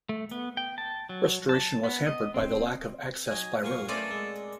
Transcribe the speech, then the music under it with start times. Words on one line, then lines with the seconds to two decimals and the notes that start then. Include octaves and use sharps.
Restoration was hampered by the lack of access by road.
0.09 A3
0.31 B3
0.57 G5
0.78 A5
1.09 F#3
1.49 A5
1.83 B3
2.06 D#5
2.34 C4
3.28 F#3 D#4 G#5
3.63 A#2 F#3 F5 C#6
3.88 A3 A#3 C4 C#4 A4 B4 D5
4.11 G#3